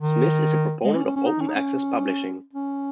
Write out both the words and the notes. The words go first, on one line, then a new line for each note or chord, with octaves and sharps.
Smith is a proponent of open access publishing.
D#3
G#3
C#4
C#4
C#4
D#4
C#4
D#4
C#4
C#4